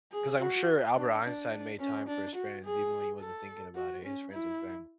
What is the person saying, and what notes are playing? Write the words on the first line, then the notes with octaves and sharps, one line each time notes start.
'cause I'm sure Albert Einstein made time for his friends even when he wasn't thinking about it, his friends and family,
G#4
F#4
D4
D4
C#4
D4
F#4
G#4
A4
F#4
C#4
E4